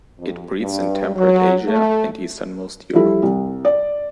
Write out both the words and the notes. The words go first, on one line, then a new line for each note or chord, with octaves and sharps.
It breeds in temperate Asia and easternmost Europe.
F2
G2
F#3
A3
F3 G3 E4 A4
C2
D5